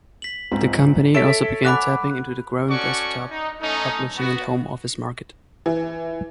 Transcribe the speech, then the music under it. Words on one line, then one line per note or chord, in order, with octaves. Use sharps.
The company also began tapping into the growing desktop publishing and home office market.
B6 F#7
C#2 G#2 C4
A4 C#5 E5 B6 D7 E7
F#5 G#5 B5 D6 F#6
C#4 F#4 A4 D5 C#6
D#4
A3 C#4 D#4
B3 F#4
E3